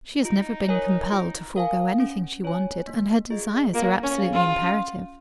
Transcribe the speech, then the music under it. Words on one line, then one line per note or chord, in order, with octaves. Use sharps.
She has never been compelled to forego anything she wanted, and her desires are absolutely imperative.
D#4 F4
A#4 C#5 G#5
F4
A#4 F5 G#5
C#4
F4 C#5 G#5
A#3
F4 G#4 D#5
A#3 F4
C#4
G#4 F5 G#5
F4
C#4